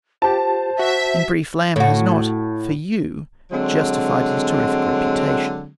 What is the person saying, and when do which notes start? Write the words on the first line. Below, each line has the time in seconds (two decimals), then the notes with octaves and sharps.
In brief, Lamb has not, for you, justified his terrific reputation.
0.22 F4 G4 C5 A5
0.79 F#4 E5
1.76 A2 F#4
3.52 D3 F#3 G#3 C4